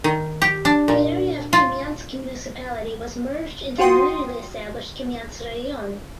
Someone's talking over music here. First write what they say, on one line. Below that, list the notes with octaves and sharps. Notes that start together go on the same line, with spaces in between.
The area of Kamianske Municipality was merged into the newly established Kamianske Raion.
D#3
G4
D4
A#2
F4
F4 F#4 G5 C6 D#6